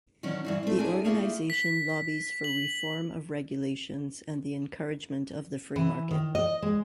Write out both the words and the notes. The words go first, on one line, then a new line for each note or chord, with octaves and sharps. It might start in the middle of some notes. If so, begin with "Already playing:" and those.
The organization lobbies for reform of regulations and the encouragement of the free market.
D#3 E3 F#3 C#4 D4
G2 E3 F#3
A3 C4
D4 E4 G#4 A#4 G5 G#5
A3 A#3 E4 F4 G4 G#4
B6
F#7
E3
D#3
D#5
G#3